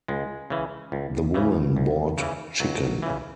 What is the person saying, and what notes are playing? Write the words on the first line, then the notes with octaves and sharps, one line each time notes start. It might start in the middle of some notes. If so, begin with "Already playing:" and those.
The woman bought chicken.
C#2 G#3
C#3 E3
C#2
C#3 E3
C#2
C#3 E3
C#2 F#3
C#3 E3